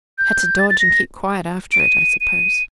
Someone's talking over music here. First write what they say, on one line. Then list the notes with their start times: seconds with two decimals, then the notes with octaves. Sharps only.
Had to dodge and keep quiet after it, I suppose.'
0.18 G6
0.59 A6
0.70 A6
0.80 A#6
1.72 D7
1.80 D#7
2.21 D#7